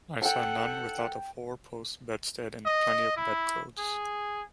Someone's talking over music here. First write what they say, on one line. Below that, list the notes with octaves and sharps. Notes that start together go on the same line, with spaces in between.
I saw none without a four-post bedstead and plenty of bedclothes.
A4 F#5 G5 A5
D#5
E4
G#4